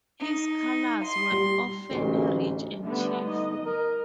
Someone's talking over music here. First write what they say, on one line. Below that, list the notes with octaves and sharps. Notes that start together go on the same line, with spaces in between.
His colors were often rich and cheerful.
D#4
C6
G3
A1 D2 G#2 C3
D3 G3 A3 B3
D#4 D#5
A#4